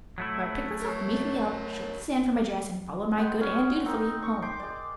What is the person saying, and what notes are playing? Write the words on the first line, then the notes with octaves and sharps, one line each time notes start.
So I picked myself meekly up, shook the sand from my dress, and followed my good aunt dutifully home.
F#3 A3 E4
A#4 C#5
G#3 B3 G5
C#4
C4 D#4 A#4
C#6
G5 C6 D6
G#3 D5